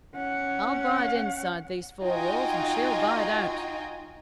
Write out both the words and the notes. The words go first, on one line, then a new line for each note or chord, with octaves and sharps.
I'll bide inside these four walls, and she'll bide out.
C#4 F#5
D#4 F4 F#4 D#5 G5 G#5